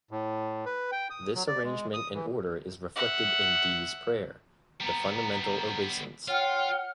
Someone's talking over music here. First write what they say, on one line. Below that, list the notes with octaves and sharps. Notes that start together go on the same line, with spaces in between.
This arrangement and order is reflected in Dee's prayer - The Fundamental Obeisance.
A2
B4
G5
D#6
F#3
D5
G#3
D#6
E3
E5 F#5
G3 B3 A#5
F4 C#5 F#5 G5 F6